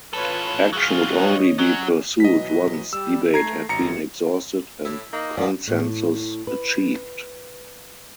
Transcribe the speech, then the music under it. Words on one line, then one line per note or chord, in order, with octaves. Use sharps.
Action would only be pursued once debate had been exhausted and consensus achieved.
E3 F4 A4 B4 C#5
F#3 F4 G#4 F5
C#5 D#5
F#3 C#4 F#4
B2 E3 F#3 D#5 B6
G3 E6
A3 A#5 G#6 C7
G#1 F#2 A#5 C#7
A2 E4
A#3 D#4
A#2 D#3 F3 B3 D5
A2
B4